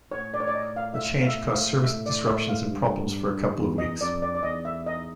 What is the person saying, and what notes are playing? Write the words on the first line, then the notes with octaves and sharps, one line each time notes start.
The change caused service disruptions and problems for a couple of weeks.
A2 C#5
D5
C#5
D5
D#5
F5
E5
F5
F5
E5
E5
F5
A2 E5
D5
E5
F5
G2
E2
D#5
F2 D5
D5
D5
E2 D#5
E5
D#5